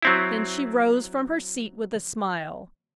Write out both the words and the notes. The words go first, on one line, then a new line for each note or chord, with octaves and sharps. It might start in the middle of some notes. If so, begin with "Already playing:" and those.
Then she arose from her seat with a smile.
F#3 C4 E4